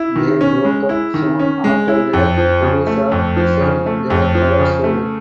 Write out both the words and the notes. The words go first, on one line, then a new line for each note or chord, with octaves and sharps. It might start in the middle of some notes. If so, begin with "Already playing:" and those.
They broke up soon after the release of "Saint the Fire Show".
Already playing: E4
D#3
C#4
G#3
E4
D#3
C#4
G#3
E4
F2
F3
C#3
A3
F2
F3
C#3
A3
F2
F3
C#3
A3